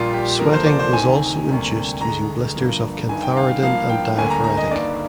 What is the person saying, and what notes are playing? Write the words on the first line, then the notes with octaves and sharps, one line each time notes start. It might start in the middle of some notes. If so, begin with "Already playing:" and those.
Sweating was also induced using blisters of cantharidin and diaphoretic.
Already playing: A#1 A#2 G3 A#3 F4
G4
D2 D3 F3 A#3 A#4
C5
D5
C5
D2 C3 D#3 G#5
D2 C3 G3 A#3
D2 D3 G#3 A#5
G1 G2 F3 A#3
G1 G2 D#3 G#5
G5
F5
G2 F3 A#3 F5
G5
D2 D3 G3 A#3 G#5
A#5
A#5
D#5
G1 G2 D#3 A#3 D5